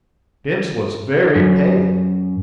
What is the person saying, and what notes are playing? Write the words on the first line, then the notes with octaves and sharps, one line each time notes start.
Bince was very pale.
F#2